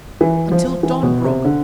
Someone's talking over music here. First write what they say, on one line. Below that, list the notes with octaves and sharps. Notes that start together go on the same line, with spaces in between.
Until dawn broke.
E3
F3
E3
B2
C3
D3